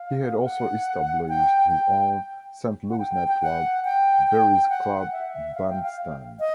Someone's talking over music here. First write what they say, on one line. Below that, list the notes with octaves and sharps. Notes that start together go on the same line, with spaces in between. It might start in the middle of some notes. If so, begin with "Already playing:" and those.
He had also established his own Saint Louis nightclub, Berry's Club Bandstand.
Already playing: F5
F#5
G5
G5
F#5
G5
G5
G5
F#5
G5
G5
F#5
E5
E5
F5
G5
F5
D#5